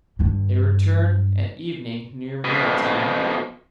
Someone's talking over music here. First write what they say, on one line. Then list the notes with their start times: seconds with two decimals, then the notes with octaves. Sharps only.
They return at evening near meal time.
0.19 G2 D3
2.45 F2 B2